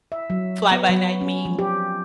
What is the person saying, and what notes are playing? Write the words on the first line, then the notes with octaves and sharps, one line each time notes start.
fly-by-night meme,
E5
F#3
B3
F#3
C#4
F3
G4